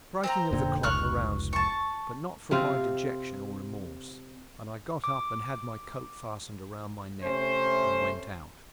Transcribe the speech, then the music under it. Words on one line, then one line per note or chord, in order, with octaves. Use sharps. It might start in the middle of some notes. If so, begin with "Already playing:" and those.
The striking of the clock aroused me, but not from my dejection or remorse, and I got up and had my coat fastened round my neck, and went out.
C4 C5 A#5
F1 A#2 D3
F1 C#2 C#6 F6 F#6
A5 C#6
C3 C4 F4
D6
C3 A3 C#4 C5